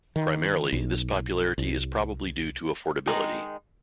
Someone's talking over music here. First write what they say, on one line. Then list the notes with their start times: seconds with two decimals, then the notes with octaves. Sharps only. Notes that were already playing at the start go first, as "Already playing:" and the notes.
Primarily, this popularity is probably due to affordability.
0.16 D#3
0.73 B1
1.58 C2
3.07 D#3 G#3 D#4